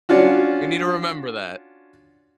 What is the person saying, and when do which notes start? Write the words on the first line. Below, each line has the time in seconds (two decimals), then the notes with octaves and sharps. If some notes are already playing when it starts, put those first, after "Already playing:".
We need to remember that.
0.09 C#4 D4 F4 F#4